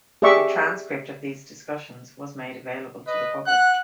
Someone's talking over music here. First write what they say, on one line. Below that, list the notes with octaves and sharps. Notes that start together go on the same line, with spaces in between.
The transcript of these discussions was made available to the public.
G4 G#4 D5 E5 C#6 D6
B4 D#5
F#5 F#6